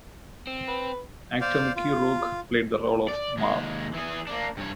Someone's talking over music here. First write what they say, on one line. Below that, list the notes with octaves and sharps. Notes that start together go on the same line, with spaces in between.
Actor Mickey Rourke played the role of Marv.
C4
B4
C5 D5 F5
F4
D5
D#2 G#3
E3 G#4
A#3 D4
G2 C#5